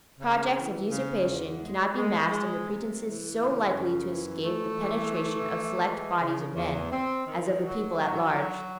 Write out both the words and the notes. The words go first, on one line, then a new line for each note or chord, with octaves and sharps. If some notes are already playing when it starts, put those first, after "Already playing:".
Projects of usurpation cannot be masked under pretenses so likely to escape the penetration of select bodies of men, as of the people at large.
C#3
E3
C#3
E2
G#3
G#3
G#3
C3
E3
C#3
F#2
E3
A3
E3
A3
E3
G#3
C#3
E2
C4
D#3
F#3
F#3
F#3